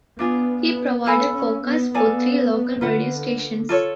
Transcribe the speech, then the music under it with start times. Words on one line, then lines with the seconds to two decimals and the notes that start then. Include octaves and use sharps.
He provided forecasts for three local radio stations.
0.19 B3 D4 F4 G#4
0.62 B3
1.06 B3 A4 F5 G#5 B5
1.36 C#4
1.65 B3
1.94 B3 A4 D5 F5 G#5
2.81 D3 F4 B4 F#5
3.69 F4 A4 C#5